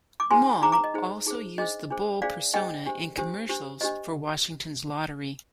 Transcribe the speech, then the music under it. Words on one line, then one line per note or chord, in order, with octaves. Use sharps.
Moll also used the Bull persona in commercials for Washington's Lottery.
D6
D#4 G#4 C5 G#5 C6
D#4 G#4 C5 A#5 D6
A#5 D6
D#5
D#4 G#4 C5
D#4 G#4 C5
D4 G#4 C5 D#5
D4 G#4 C5
D4 G#4 C5 D5 F5
D4 G#4 C5 D#5 G5
D4 G4 C5
D4 G4 C5
D4 G4 C5
D4 G4 C5 D#5